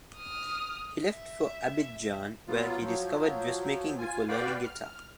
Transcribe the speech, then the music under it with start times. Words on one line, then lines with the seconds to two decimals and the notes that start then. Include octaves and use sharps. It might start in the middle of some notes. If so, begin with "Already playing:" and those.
He left for Abidjan where he discovered dressmaking before learning guitar.
0.16 D#6 F6
1.02 E5
2.48 F#3 B3 F4
2.81 F3 F#3
3.98 F4 G#5
4.28 F#4 B4 D5 F5 G5
4.63 F6